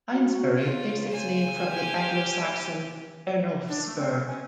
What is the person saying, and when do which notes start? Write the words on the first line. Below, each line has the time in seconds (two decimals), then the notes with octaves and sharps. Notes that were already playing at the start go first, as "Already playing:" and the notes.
Eynesbury takes its name from the Anglo-Saxon "Ernulf's Burgh".
0.13 F#4
0.57 C#3 F4
1.08 C5 G#5
1.57 G4
3.68 D4
3.85 A3
3.97 C4
4.25 C#4